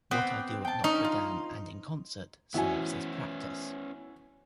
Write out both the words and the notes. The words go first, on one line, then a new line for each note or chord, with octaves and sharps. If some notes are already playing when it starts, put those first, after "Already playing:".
'What I do at Notre-Dame and in concert serves as practice.
B3 C4 G5 D6
G5 A5
C#4 D#4
F4
E3 B3 C#4 E4 F#4 G#5